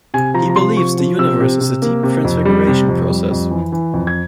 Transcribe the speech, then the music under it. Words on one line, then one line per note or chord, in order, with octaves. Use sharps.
He believes the universe is a deep transfiguration process.
C3 G#5
F3 A#5
A#5
C3 C6
F3 C#6
F3
C3 E6
C3
C3
A#3
C3
F2
G3
C3
F2
G3
F2
E3
E3
F2
G#6